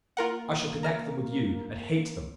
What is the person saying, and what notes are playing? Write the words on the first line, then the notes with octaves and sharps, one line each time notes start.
'I shall connect them with you, and hate them.'
A#3 F4 A#4 F#5
A#5 F6 A#6